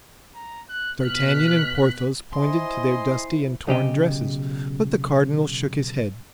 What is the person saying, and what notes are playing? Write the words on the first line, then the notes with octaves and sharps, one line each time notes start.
D'Artagnan and Porthos pointed to their dusty and torn dresses, but the cardinal shook his head.
A#5
F#6
B2 F6 F#6 B6
E4 C5 D#5 G#5 C6
B1 C#3 G4 D#5